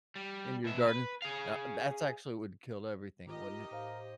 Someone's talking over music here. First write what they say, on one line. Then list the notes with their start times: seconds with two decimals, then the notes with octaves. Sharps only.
in your garden. Now that's actually would kill everything, wouldn't it?
0.16 G3
0.64 B2 E5
0.88 B4
1.22 G#4 F5
3.28 D#4 F4 G4 A#4 D#5
3.71 A2 A#4 C5 F5